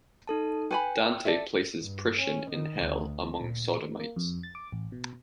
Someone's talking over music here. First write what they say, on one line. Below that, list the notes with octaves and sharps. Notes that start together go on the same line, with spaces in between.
Dante places Priscian in Hell among sodomites.
D#4 A4 A5
B4 G5 G#5 B5
A4 D5 E5
G2
C#4
D#3
D2
A#2
A#3
F2
A6
D6
A1
B2